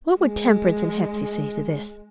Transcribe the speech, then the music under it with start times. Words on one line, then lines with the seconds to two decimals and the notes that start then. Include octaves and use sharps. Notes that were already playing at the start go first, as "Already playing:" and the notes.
"What would Temperance and Hepsey say to this?"
0.20 G#3